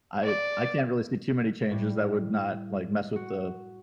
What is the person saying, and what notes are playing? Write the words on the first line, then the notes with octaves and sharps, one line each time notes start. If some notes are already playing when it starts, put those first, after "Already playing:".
I I can't really see too many changes that would not, like, mess with the
D5
A2 G3
F#4